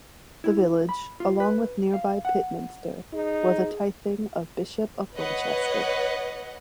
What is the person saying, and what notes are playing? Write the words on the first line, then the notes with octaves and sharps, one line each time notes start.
The village, along with nearby Pitminster was a tithing of Bishop of Winchester.
E4
B5
F4
B4
F5
F#5
D#4 G#4
B4 C#5 D#5 F#5